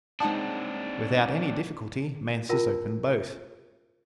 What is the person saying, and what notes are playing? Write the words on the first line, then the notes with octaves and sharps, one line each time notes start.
Without any difficulty Mansus opened both.
G#3 C4 D4 D#4 F#5 A5
E4 F4 A#4 G5 A5